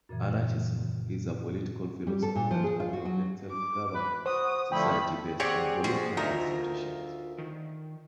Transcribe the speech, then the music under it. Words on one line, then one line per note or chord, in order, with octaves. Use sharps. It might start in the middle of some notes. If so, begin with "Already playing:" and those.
Anarchism is a political philosophy that advocates self-governed societies based on voluntary institutions.
F#2 A#2 C#3 E3
G3
A4
A#2
F3
G#4
F4
F#4
F#3
D6
B4
F#4 C5 D#6
D3 F3 A3 E4 G5 B5
C4 G4 G#4 C#5 D5 F#5
F3 F#4 G#4
D2 D#4 F4 A#4 E5
D#3